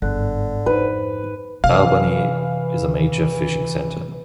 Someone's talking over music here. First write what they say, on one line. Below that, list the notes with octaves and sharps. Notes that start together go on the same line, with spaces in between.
Albany is a major fishing centre.
G1 G#2 D3 F#6
F2 D#4 B4 C5
C3 E3 F5